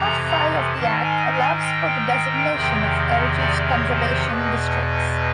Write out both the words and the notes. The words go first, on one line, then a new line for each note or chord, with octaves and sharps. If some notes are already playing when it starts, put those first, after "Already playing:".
Part Five of the "Act" allows for the designation of heritage conservation districts.
Already playing: F2 C3 E3 A#5
G#2 D#3 A5
G#5
G#5
G5
E2 C3 D#3
D5
C#5
C5
E2 B2 B4